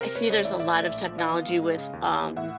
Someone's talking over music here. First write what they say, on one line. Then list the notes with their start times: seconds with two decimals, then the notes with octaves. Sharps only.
I see there's a lot of technology with, um
0.01 C3 A#4 C5
0.16 A3 B4 C#5
0.30 C#2 C#5 D#5
0.45 E3 D5 E5
0.59 A2 D5 E5
0.74 A3
0.90 A#1
1.04 F3
1.18 E3 D#5 F5
1.34 B3
1.48 G#2
1.63 G#3
1.78 C#3
1.93 D#2
2.08 D#2
2.22 E3
2.37 A2 E5 F#5